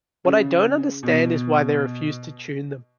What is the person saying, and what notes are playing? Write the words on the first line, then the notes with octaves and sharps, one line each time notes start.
What I don't understand is why they refuse to tune them.
C#3
B2